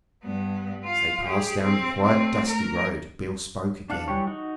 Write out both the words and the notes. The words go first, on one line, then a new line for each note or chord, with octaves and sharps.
As they passed down the quiet, dusty road Beale spoke again.
G2 B3
F4 F5
G4 G#4
C4
A3 C4
A#4
D4 F5 F#5
E3 F#3 G3 G4 C#5
D#4 F#4